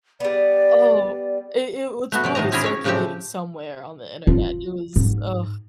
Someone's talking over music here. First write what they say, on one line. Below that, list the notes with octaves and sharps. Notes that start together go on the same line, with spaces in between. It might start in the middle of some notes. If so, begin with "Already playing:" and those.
Oh, i it well, it's probably circulating somewhere on the internet, it was, ugh,
G3 B3 D5
A3 B3 F#4
C3 F#3 D5
A2 D#3 A3 D#5 A#5
C4 C#4 E4 G#4 A#4 D5
C#4 C#5
A2 C#3 F3 A3 C4 G4
F4
G#2